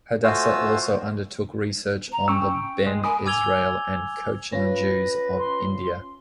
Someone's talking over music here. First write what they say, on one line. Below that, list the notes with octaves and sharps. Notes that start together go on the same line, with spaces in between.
Hadassah also undertook research on the Bene Israel and Cochin Jews of India.
A3 F4 F#4 C5 G#5 E6
A#5
C#4 G5 C#6 E6
G#3
A#4 G#5 B5 D#6
G#5 D6 E6 G#6 F7 G7
C#4 F4 B4 A#6
C6